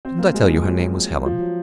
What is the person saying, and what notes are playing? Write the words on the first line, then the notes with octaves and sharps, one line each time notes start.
Didn't I tell you her name was Helen?
C4
A#3
G#3
F3
F#3
F3
F#3